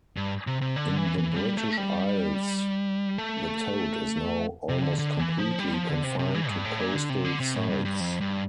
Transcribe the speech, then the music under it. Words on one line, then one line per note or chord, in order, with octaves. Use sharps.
In the British Isles the toad is now almost completely confined to coastal sites.
G2
C3
C3
D3
E3
E3
G3
A3
G3
A3
C3
D3
D3
E3
F3
G3
F3
D3
C3
C3
E3
G2
A2
A#2
D3
C3
D3
C3
A2
G2
G2
F2
G2